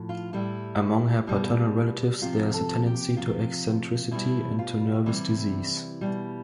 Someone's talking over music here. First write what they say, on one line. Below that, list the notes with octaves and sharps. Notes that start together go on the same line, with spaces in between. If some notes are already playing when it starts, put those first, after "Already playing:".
Among her paternal relatives there is a tendency to eccentricity and to nervous disease.
Already playing: A2 F3
F4
A2 G3 E4
B2 G3
C3 F3 F4
A4
G4
C3 F3 F4
B2 G3 E4
F4
C3 E3 G3 E4
B2 G3